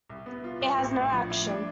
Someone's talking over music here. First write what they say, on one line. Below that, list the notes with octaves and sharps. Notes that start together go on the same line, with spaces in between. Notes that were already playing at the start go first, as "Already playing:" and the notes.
It has no action.
C2
B3
F4
C2
A1
A1
F3
A2
D4